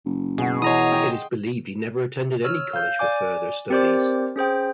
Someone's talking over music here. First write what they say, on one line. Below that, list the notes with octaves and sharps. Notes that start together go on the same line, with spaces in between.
It is believed that he never attended any college for further studies.
F#1
B2 F#4 G#4
E3 C#5 D#5 A#5 C6 D#6
G5
C#5 E6 F6
F5 G6
D5 G#5 D6
C4 G4 A#4 C5 D5 D6
C#4 G#4 C5 G5